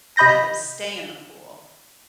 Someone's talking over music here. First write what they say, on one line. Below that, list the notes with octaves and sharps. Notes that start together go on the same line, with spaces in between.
had them stay in the pool
C3 D#5 B5 G6 A#6